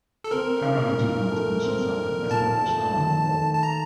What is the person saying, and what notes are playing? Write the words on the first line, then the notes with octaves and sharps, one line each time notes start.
Permanent diplomatic missions have been established around the world.
A4
C4 A#4
D#4
A#2
A3
C4
D#4
A#2 A5
A3
D#3
A3
A5
A#5